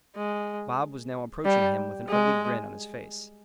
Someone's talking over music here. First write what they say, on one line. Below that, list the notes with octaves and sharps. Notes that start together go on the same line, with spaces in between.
Bob was now approaching him with an ugly grin on his face.
G#3
G3
G#3